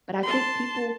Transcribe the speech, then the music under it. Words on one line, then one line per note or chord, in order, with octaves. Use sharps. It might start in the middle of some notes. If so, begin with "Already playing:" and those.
But I think people
A5 C6